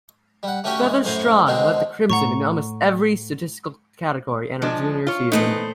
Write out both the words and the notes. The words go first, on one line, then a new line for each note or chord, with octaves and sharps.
Feaster-Strong led the Crimson in almost every statistical category in her junior season.
G3 F#5
A3 C#4 F#4 G4 C#5
E3 G#3
F#2 A2 C5 G#5 A#5
B2 D3 D#3 G#3 C4
A2 F#5 A#5 C#6
F3 G#3 D4
F4 C#5
A#2 E3 A3 B3 D#4 C5